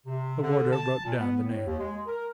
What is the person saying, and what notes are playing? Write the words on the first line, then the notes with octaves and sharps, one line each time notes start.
The warder wrote down the name.
C3
D3
A5
A#2
B3
A2
D#2
G#3
A#4